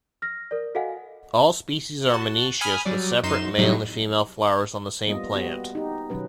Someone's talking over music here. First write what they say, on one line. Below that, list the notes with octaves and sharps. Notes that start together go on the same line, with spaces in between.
All species are monoecious with separate male and female flowers on the same plant.
F6 A#6
A#4 D5
F#4 A4 D#5 F5 F#5 G#5
F#4 A5
G#5 B5 D#6 F6
F#3 G3 D5
F#2 D#4 C6 E7
F#2 A2 C3 F#3 G3 D#4
G3 A#3 B3 F4 D#5
B3 F#4 G4
D#4 G4
B2 D#3 F#3 C#4 B4